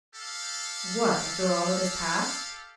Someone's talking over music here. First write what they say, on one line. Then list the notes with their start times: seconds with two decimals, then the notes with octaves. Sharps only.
"What, after all that has passed?"
0.15 G4 A4 F5